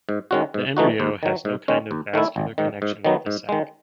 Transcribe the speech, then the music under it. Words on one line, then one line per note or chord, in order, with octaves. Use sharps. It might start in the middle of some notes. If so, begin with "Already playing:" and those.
The embryo has no kind of vascular connection with the sac.
G#2
D#3 G#3 C#4 F#4
G#2
E3 A3 D#4 F#4
D#2
D#3 F#3
G#2
D#3 G#3 C#4
D#2
D#3 A3 E4
G#1
G#2 D#3
G#2
D#3 F#3 B3
G#2
D#3 G#3